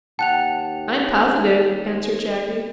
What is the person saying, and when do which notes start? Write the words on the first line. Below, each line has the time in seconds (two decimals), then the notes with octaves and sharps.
"I'm positive," answered Shaggy.
0.19 D#2 F#5 G5 A5 F#6 F7